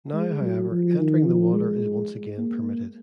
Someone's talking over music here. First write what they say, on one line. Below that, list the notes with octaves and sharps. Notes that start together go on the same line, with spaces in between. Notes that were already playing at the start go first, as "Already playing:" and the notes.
Now, however, entering the water is once again permitted.
G#3
F#3
F3
D#3
F3
G#3
A#3